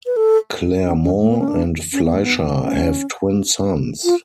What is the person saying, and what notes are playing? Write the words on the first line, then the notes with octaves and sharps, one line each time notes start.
Claremont and Fleisher have twin sons.
B4
A4
C#4
C#4
A3
B3
C#4
D4
C#4
B3
A3
B3
C#4
F4